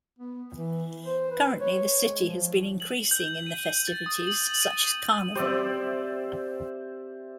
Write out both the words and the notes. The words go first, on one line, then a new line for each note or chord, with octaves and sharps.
Currently, the city has been increasing in the festivities such as Carnival.
B3
E3
C5
B4
C#5
G#3
F3
F#7
G6
D#7
A6
D#6
F#7
D#7
C4 G4 C5 D5 E5